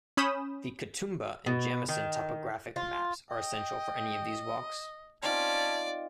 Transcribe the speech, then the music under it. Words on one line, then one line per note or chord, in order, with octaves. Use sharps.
The Katoomba and Jamison topographic maps are essential for any of these walks.
C#4 B5 D#6 G6 E7
B2
D#3
F4
D#5 G5
C4 C#4 D#4 F4 D5 A5